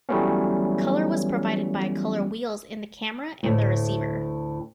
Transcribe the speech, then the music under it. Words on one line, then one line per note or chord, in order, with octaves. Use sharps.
Color was provided by color wheels in the camera and the receiver.
E3 F#3 G3 A3 B3 C#4
D2 A2